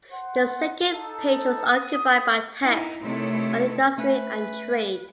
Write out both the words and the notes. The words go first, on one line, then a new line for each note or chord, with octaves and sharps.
The second page was occupied by texts on "Industry and Trade".
C5 F#5
D#4 A4
D#6
D#4 E4
C3 D#3 A3 E4 A4 C#5
A3 C#4 B4 G#5